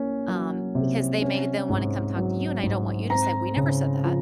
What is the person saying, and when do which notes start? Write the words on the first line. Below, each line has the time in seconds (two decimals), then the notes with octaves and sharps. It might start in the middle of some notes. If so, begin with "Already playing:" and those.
um, "because they may they'll wanna come talk to you and I don't want you to say, 'We never said that.'"
Already playing: A#3 C#4
0.28 F#3
0.75 C3
1.21 C#4
1.69 G#2
2.16 F#3
2.63 G#2
3.10 C4 A#5
3.56 C#3
4.04 F3